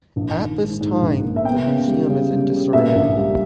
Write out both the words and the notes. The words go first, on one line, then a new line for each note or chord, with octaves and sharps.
At this time the museum is in disarray.
A#1
D#3
G#2
G#2
A#1
A#3
E5
B3 G5
C#3
G3
C#3
G3
C#3
A#2 E5
A#1
G3